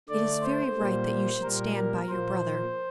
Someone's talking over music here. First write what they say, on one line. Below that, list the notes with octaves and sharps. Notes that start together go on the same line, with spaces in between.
"It is very right that you should stand by your brother."
D3 A3 D5
C5
A#2 G3 A#3
A#2 G3 A#3 A#4
A#4
A#2 F3 A#3 C5